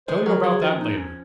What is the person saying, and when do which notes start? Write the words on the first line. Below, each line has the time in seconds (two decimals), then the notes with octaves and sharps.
"Tell you about that later."
0.08 G#3 C5
0.26 F#3 A#4
0.44 F#3 G#4
0.62 F3 F#4
0.72 C#4
0.80 D#4
0.98 C#4